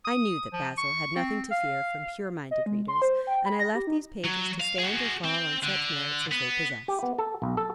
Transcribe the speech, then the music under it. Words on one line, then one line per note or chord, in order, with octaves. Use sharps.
I knew that "Basil" had nothing to fear from pure-minded readers; and I left these pages to stand or fall on such merits as they possessed.
D#6
F3
C#6
C4
F5
D#5
G#3
C6
C5
G5
B5
A#6
G4
D#4
F#3
F5
F#4 G#4
C4
D3
B3
G4
B3
A4
B1
A4